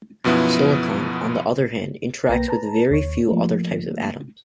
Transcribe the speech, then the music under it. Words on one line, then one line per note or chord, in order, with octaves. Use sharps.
Silicon, on the other hand, interacts with very few other types of atoms.
F#2 B2 F3 B3 E4
B1 A#3 B4 G5 A#5 A#6
B4 A5 A#5
D#2 C#5
F3 A3 A#3